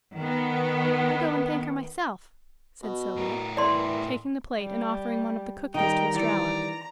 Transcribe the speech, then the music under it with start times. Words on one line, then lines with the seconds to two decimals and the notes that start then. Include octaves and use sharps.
"I'll go and thank her myself," said Sylvia, taking the plate, and offering one of the cookies to Estralla.
0.17 D#3 B3
2.83 B2
3.16 A2 A#4
3.57 E3 D5 C6
4.57 G3
5.74 D#3 G3 D#4 A#4 G5 A#5
6.15 E3 D5 A#5